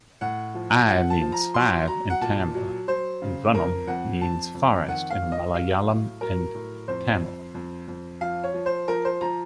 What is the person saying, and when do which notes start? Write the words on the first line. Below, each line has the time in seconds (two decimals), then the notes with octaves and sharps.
"Ay" means "five" in Tamil and "Vanam" means "forest" in Malayalam and Tamil.
0.21 A2 F#5
0.55 F3
0.88 F3 F#5
1.10 A5
1.21 F3
1.32 A#5
1.54 F#3 C6
1.88 F#3 A#5
2.10 F#5
2.21 A#2 A5
2.54 F#3
2.88 F#3 C5
3.22 C#3
3.54 F2 A#4
3.88 F2 F#5
4.21 F2 A5
4.54 F2
4.88 D#3 F#5
5.10 F5
5.22 F2
5.32 D#5
5.54 F#3 F5
5.88 A2
6.21 F#3 A#4
6.55 A2
6.88 F2 C5
7.21 F2
7.54 F2
7.88 F2
8.21 F3 F5
8.44 C#5
8.54 F3
8.66 C5
8.88 F3 A#4
9.05 C5
9.21 F3 A#5